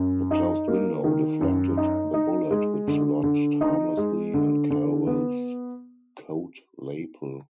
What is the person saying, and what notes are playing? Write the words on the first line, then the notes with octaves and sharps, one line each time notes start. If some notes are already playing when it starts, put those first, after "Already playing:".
The closed window deflected the bullet, which lodged harmlessly in Calwell's coat lapel.
Already playing: F#2
D#4
A#3
D#3
F#2
D#4
D#4
G#3
D3
D3
D#4
G#3
D3
D3
B3